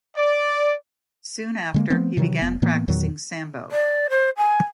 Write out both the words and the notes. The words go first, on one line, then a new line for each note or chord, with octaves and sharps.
Soon after, he began practicing sambo.
D5
D3 G#3 A#3
F3 A3 B3 C4
C3 D#3 E3 F#3
F1 B3
A2 E3 A#3 B3
E2 A#2 D#3 F#3
D5
C5
G#5